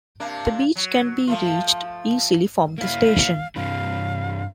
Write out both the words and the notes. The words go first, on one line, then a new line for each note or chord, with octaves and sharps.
The beach can be reached easily from the station.
C3 A#3 D4
F#3
F3 A3 F4
A#3 E4 F5
G2 C3 E3 F5